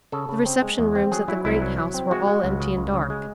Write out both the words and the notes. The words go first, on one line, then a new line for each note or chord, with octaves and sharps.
The reception-rooms at the great house were all empty and dark.
C#3 A4
C#3
C4
G#3
E2
C4
F#3 G#4
F#3 E4
C2 E4
F#3
F#3
C4
G#3 F#4
G#3
C#2
C#3
C#2
C#3
G#3